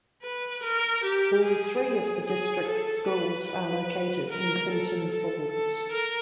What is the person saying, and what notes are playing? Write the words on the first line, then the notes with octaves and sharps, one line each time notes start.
All three of the district's schools are located in Tinton Falls.
B4
A#4
G4
G#4
G#4
A4
B4
B4
A#4
A4
A4
A4
A#4